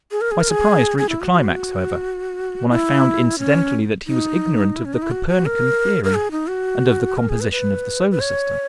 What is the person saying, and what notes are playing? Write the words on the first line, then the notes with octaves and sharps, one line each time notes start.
My surprise reached a climax, however, when I found incidentally that he was ignorant of the Copernican Theory and of the composition of the Solar System.
G#4
A#4
G#4
A#4
G#4
G#4
E4
F#4
F#4
E4
C#4
D#4
E4
C#4
D#4
E4
F#4
F#4
A#4
A#4
G#4
D#4
F#4
A#4
G#4
B4
B4
B4
C#5